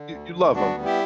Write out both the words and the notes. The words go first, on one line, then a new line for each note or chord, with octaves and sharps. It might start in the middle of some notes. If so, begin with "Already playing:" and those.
You you love him.
Already playing: D3
D2
D2
B3 D4 F#4
G3
E4 G4